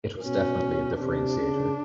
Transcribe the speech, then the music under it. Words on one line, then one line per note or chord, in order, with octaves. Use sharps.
It was definitely a differentiator.
B2 C#4
C3 D4
C#3